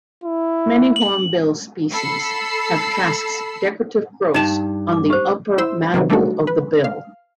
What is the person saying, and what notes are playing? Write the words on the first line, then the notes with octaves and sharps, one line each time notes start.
Many hornbill species have "casques", decorative growths on the upper mandible of the bill.
E4
F#7
A4 B5 E6 C7
G2 D#4 A5
D6
G4 C5
E4 C5 E6
C3 D#3 E3 F#3
G3 A3 D4 D#4 F#4
B4
F5